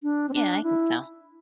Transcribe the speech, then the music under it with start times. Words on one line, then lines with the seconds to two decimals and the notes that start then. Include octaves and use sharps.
Yeah, I think so.
0.03 D4
0.29 C4
0.34 D4
0.63 E4